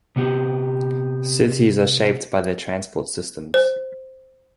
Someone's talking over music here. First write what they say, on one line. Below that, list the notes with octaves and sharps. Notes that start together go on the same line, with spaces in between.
Cities are shaped by their transport systems.
C3 B3 G4
C5